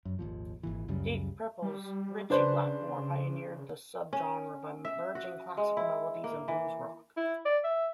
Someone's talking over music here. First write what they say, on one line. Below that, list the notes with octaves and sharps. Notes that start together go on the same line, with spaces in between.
Deep Purple's Ritchie Blackmore pioneered the subgenre by merging classical melodies and blues rock.
F#2
G#1 D#2 A#2 F3
G#1 A#2 E3
C#2 F#2 C#3 G3
G3
C#3 D4 B4 C5
C#4
E5
F#4
G#3
E4
A#3
E3
E4
D5
E5